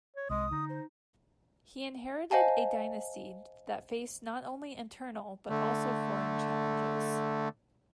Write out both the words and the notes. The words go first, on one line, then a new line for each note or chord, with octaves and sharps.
He inherited a dynasty that faced not only internal but also foreign challenges.
C#5
C2 G#3 D#6
D3 D#4
C5
C5 D#5 F5 G#5 A5
D3 A3